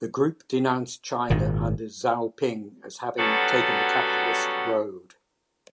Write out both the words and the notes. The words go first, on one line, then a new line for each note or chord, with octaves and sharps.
The group denounced China under Xiaoping as having taken the "capitalist road".
G#1 A#2 D#3
F#3 G3 B3 C#4 F#4 A4